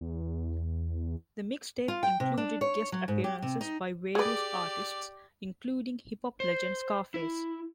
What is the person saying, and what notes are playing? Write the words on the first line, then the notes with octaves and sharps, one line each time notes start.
The mixtape included guest appearances by various artists, including hip-hop legend Scarface.
E2
F4
G5
C3
D4
C#5
F#3
G#2
G4
C3
D#4
G4 G#4 B4 D5
C5
E4